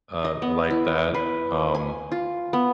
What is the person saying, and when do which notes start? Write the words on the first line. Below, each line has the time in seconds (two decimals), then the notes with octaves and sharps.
uh, like that. Um,
0.25 D#5
0.42 B3
0.70 E4
1.15 B4
1.75 G#5
2.12 F4
2.53 B3